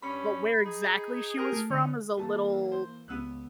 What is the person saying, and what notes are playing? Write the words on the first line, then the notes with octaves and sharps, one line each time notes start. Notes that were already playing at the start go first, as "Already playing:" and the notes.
but where exactly she was from is a little
G2 C#4 B5
D#4 G#4
G4 G#4 A#4
A3
D3 C#4 D#4
E3 A3 A#3 A5
C5
C#2 B3 E6 F#6